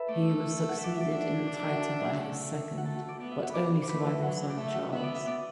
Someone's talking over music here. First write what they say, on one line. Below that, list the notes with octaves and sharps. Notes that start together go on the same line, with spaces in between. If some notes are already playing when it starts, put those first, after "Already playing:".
He was succeeded in the title by his second but only surviving son, Charles.
Already playing: A4 B4 E5 A5 B5
A3 D5
F#5
E5
D5
E5
D5
D4 E5
D5
E5
F#4 F#5
A4 A5
E5
F#4 F#5
A3
F#5
A3 A4 A5
F#4 F#5
D5
B3 D5
E5
F#4 F#5
D5 B5 D6
D6
A3 B4 B5
E5
F#3 F#4 F#5
D5
A3 E5
F#4 F#5
B3 E5
D5
E5
D5